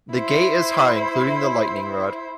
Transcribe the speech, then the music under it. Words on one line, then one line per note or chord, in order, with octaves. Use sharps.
The gate is high including the lightning rod.
E4 C5